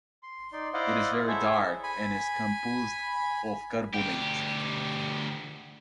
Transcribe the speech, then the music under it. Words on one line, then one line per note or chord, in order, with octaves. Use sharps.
It is very dark and is composed of carbonates.
C6
D#4 D5 C6
E4 C5 D5 D#5 F5 F#5
E4 G#4 A4 C5 C#5 E5
G#5 B5
D2 G4